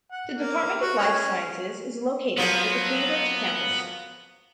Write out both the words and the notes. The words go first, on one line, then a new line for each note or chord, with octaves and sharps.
The Department of Life Sciences is located at the Cambridge campus.
F#5
A#3
F#4
C#4
F3 F#3 A#3 B3